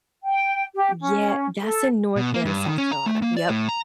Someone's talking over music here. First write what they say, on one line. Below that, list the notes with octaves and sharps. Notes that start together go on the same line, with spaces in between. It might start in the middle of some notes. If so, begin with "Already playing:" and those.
yeah that's in North and South Carolina. Yep,
G5
G4
C#4
A4
B2
A#3
G2
D#3
C#4
A#5
A3
A#3
D5
A2
A#5